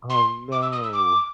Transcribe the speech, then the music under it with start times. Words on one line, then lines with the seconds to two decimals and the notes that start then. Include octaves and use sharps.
Oh, no.
0.10 C6
0.52 D6
0.62 E6
0.72 D#6
0.83 E6
0.93 D6